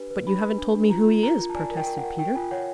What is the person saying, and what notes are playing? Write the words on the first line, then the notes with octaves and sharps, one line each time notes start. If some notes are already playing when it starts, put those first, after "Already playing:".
"But you haven't told me who he is," protested Peter.
Already playing: D4 G4 B4
B4
D4 B5
B4
D4
D4
F4 A#5
F4
A#4 A#5
F4
A5
D5 G#5
A#4
G5
A#4
F#5
A#4
A#4 G5
F4 G#5
C#5 F#5